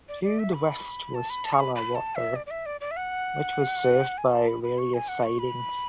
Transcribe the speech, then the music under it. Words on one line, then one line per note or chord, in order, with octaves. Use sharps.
To the west was Talla Water which was served by various sidings.
D5
D5
E5
B5
A5
B5
A5
C#6
B5
B5
A5
E5
D5
D5
E5
D5
D5
E5
F#5
G#5
A5
B5
B5
C#6
G#5
F#5
C#6
B5